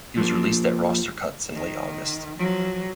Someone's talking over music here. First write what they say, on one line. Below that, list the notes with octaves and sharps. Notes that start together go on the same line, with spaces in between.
He was released at roster cuts in late August.
F3 A#3
D#3
F3 F#3